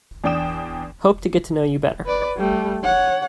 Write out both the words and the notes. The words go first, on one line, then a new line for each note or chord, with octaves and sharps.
Hope to get to know you better.
E2 D4 D5 G5 D#6 E7
B4 D5
G3 A3
C#5 F#5